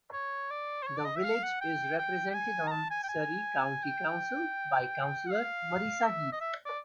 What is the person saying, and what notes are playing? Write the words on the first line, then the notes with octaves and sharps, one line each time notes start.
The village is represented on Surrey County Council by Councillor Marisa Heath.
C#5
D5
C5
C#5
D5
D#5
E5
F5
F#5
G5
G5
G5
G#5
A#5
A5
G#5
G5
G#5
G5
F#5
F5
E5
D#5
E5
D5